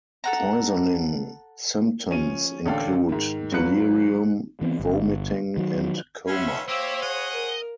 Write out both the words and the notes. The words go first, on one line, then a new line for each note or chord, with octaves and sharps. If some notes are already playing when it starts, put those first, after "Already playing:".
Poisoning symptoms include delirium, vomiting, and coma.
A4 F#5 A#5
F3 C#4 D#7
A1 D3 D4 A4 F5 G5
G#2 D#3
G#1 F#3 F4 B4 F#6 C#7
E3 B3 C4
G1
D#3 F#3
C#4 F4 C#5 E5 F#5 B5 C6
A#3 G4 C5 C#5 E5 F5 E6
G#4 D#5 F#5
A#4